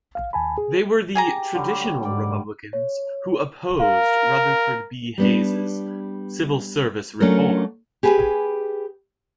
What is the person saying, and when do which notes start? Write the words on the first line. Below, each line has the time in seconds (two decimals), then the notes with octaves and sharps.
They were the "traditional" Republicans who opposed Rutherford B. Hayes's civil service reform.
0.15 F5
0.33 D#2 G#5 A5 B5
0.58 G#4
1.15 G4 G#4 G#5 A#5
1.55 D3 F#3 G3
2.05 G#2 D5
2.73 C#5
3.80 A#4 F5
5.18 G3 B3 D4
7.20 F#3 A3 C#4 D4 F4 A#4
8.03 G4 G#4 B4 G#5